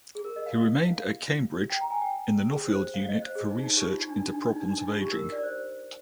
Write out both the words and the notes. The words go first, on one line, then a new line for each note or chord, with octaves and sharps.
He remained at Cambridge in the Nuffield Unit for Research into Problems of Ageing.
G#4
A#4
D#5
F5
F5
G5
A#5
G#5
G5
G#4
C5
F5
D#5
C5
G#4
D#4
D#4
G4
F4
D#4
D4
D#4
D4
D#4
D#4
D4
D4
D#4
F4
G4
A#4
D5
C5